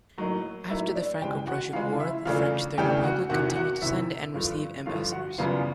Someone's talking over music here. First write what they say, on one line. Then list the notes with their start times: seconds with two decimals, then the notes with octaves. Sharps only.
After the Franco-Prussian War, the French Third Republic continued to send and receive ambassadors.
0.18 A2 F#3 A#3 D#4
0.70 A2 F#3 A#3 D#4 E4 E5
0.95 D4 D5
1.21 C#3 E3 G#3 G4 G5
1.47 F#4 F#5
1.73 C#3 E3 G#3 F4 F5
2.00 E4 E5
2.25 E2 C#3 E3 A3 D4 F4 F5
2.78 E2 C#3 E3 A3 D4 G4 G5
3.04 F#4 F#5
3.29 E2 C3 D#3 F#4 F#5
3.56 F#4 F#5
3.82 E2 C3 D#3 E4 E5
4.34 G2 D3 F3
4.86 G2 D3 F3 F4 F5
5.12 F#4 F#5
5.38 F#2 C#3 E3 G3 B3 F4 F5